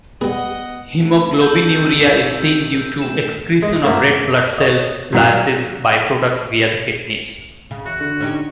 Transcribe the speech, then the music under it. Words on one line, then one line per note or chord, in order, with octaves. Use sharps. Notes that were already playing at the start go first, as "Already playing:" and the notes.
Hemoglobinuria is seen due to excretion of red-blood-cell lysis byproducts via the kidneys.
G3 B3 G#4 D#5 F#5
C2 A3
F4 A4 E6 G6
D#3 F3 G3
C2
A3 E7
G#3
F#2 A3 A#3 A#4
C#5 D#5
A#2 F#3 F4
C#3
E2 F#4
D3
C#4 D#4 G4